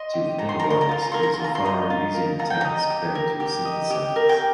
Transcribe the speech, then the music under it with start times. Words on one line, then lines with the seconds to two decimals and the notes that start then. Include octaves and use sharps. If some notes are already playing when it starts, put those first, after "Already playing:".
To analyze is a far easier task than to synthesize.
Already playing: D#5 C6
0.14 G4
0.39 D#4 A#5
0.49 C6
0.60 A#4 A#5
0.70 C6
0.81 A#5
0.89 F4 C6
1.02 A#5
1.12 A#4 C6
1.23 A#5
1.33 C6
1.40 F4 A#5
1.55 C6
1.65 D#5 A#5
1.90 F4
2.14 A#4
2.39 F4 A#5
2.50 G5
2.61 D#5 A#5
2.90 G4
3.15 A#4
3.40 G4
3.65 D#5
3.90 G4
4.16 A#4
4.29 G5